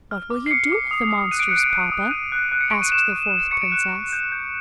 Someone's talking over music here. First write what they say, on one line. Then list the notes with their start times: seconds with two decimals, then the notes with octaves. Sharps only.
"What will you do with the monsters, papa?" asked the fourth Princess.
0.11 F6
0.30 D6
0.46 C7
0.51 D6 C#7
0.72 D6
0.91 D#6
1.11 D#6
1.31 F#6 D#7
1.39 D7
1.49 F#6 C#7
1.57 D7
1.71 F#6
1.92 D#6
2.11 F#6 D#7
2.32 F#6
2.52 F#6
2.61 C#7
2.71 C#6 D7
2.82 D#7
2.92 C#6 E7
3.12 C#6
3.31 F#6
3.51 C#6 C#7
3.62 D7
3.72 F#6 D#7
3.92 C#6
4.13 G6
4.32 G6